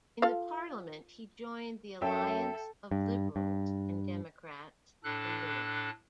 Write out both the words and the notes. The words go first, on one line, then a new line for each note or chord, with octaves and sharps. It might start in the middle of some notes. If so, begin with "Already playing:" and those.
In the parliament he joined the Alliance of Liberals and Democrats for Europe.
F4 A4 F5
F#2 A4 E5 G5
G2
G2
A2 D4 A4 F#6